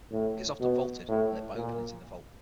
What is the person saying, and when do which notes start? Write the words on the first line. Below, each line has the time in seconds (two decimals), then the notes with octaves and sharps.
It is often vaulted and lit by openings in the vault.
0.11 A2
0.60 B2
1.08 A2
1.56 A#2